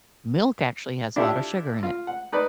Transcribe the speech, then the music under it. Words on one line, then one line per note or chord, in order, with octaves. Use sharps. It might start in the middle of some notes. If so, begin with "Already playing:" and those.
milk actually has a lot of sugar in it.
D4 E4 F4 G4 A4
F4
F#5
D#4 B4 D5